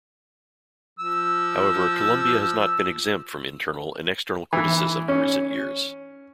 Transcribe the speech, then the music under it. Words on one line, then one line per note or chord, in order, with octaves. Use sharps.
However, Columbia has not been exempt from internal and external criticism in recent years.
F3 E6
E3
C#4